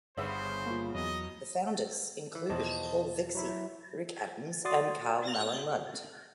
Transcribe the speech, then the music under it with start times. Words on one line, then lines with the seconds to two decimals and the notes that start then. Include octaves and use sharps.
The founders included Paul Vixie, Rick Adams and Carl Malamud.
0.17 G1 C#3 B3 C5 E5
0.66 A#3 F4
0.95 E2 F#3 D#5
2.35 E3
2.50 E2 B2 F3 C5 D#5 A5
3.35 F#3 E4 E5
4.65 F#4 D5 C6 D#6 A6